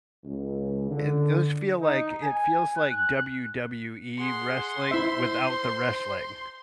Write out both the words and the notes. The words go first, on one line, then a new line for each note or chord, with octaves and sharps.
It does feel like it feels like, WWE wrestling without the wrestling,
C#2
D3
D#4
G#5
F#6
G#4 F#5 C6
E4 C5 E5